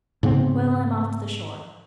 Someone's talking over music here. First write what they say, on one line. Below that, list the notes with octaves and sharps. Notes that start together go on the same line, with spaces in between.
Well, I'm off to the shore.
G#2 C#3 B3 C4